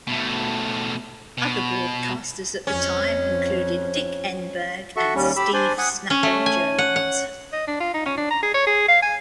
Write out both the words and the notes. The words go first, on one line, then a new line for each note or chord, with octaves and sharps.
Other broadcasters at the time included Dick Enberg and Steve "Snapper" Jones.
B2 A3
B2
F2 C#4
F#4 A4 E5 C#6
D#2 G3 C#4
G4 B5 E6
D4 C5 D5 G#5
F#5 G#5 D#6
C#4
A3
G#5
F#5
F#5
D#5
D4
F4
D#4
C#4
D4
A#5
G#4
C#5
G#4
F5
G#5